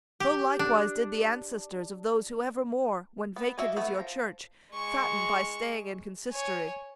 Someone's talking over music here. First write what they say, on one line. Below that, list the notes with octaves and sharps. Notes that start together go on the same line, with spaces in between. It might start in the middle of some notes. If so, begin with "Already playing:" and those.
So likewise did the ancestors of those Who evermore, when vacant is your church, Fatten by staying in consistory.
G4
D4
B3
A#3 D4 F#4 D#5 E5
A3 B3 E5 F#5
F3 A#5
G#3 C#6
C#5 G#5